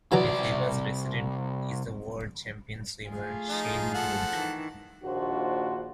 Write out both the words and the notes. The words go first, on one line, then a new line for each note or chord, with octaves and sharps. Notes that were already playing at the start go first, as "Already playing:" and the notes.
A famous resident is the world champion swimmer Shane Gould.
C2 E3 F#3 D5 A#5
A3 F4 G#4
F3 D#4
F3 A4 F#5
D#3 E3
A#1 D#2 D4 F4 F#4 C5